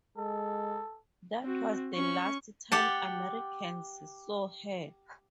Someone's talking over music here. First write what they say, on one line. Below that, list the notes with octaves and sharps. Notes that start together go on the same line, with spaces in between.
That was the last time Americans saw her.
G#3 A4
C4 F#4
C#4 C#6
G4 F#5 A5